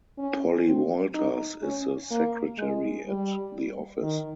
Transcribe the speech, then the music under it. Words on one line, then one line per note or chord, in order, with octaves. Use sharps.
Polly Walters is the secretary at the office.
C#4
C4
D#4
C#4
A#3
G#3
G3
D#3